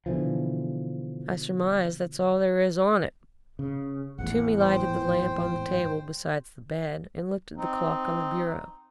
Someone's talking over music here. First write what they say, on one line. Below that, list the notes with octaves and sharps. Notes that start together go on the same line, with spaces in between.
"I surmise that's all there is on it." Toomey lighted the lamp on the table beside the bed and looked at the clock on the bureau.
B2 D3 E3 F3
C#3
G#1 E2 A2 F#5
C5 G5
C4 D#4